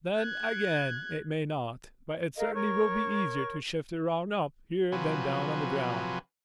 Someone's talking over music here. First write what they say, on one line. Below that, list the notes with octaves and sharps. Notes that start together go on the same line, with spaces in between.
Then, again, it may not, but it certainly will be easier to shift around up here than down on the ground.
F#6 G#6
A4 A#4 D#5 F5
A#4 C#5 C#6
C3 F3 F#3 B4 G#5